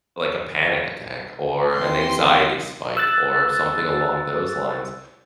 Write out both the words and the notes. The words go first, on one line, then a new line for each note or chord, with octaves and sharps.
like a panic attack or an anxiety spike or something along those lines,
E3 C4 C6
E6 F#6 A6